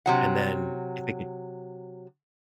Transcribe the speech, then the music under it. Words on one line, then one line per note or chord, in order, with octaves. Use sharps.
and then if it gets
C3 F#3 F#5